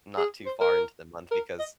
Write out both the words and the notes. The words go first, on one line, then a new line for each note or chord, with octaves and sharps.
not too far into the month because,
G#4
C5
A#4
A#4
D#5